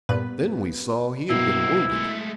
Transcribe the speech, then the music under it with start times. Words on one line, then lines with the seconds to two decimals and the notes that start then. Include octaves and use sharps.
Then we saw he had been wounded.
0.09 G2 A#2 B3 B4 F#6
1.30 B2 F#3 A#3 C4 E4
1.91 G#3 A3